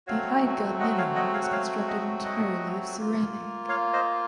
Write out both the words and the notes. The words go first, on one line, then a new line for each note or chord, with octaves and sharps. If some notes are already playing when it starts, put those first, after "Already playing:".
The Eidgah Minar was constructed entirely of ceramic.
F#3 A3 C4 F#4 C#5 F5
D#5 F#5
C#5 F5
D#5 F#5
C#5 F5
F#5
C#5 F5
D#5 F#5
D#5 F#5
A#3
F4
C#5 F5
C5 D#5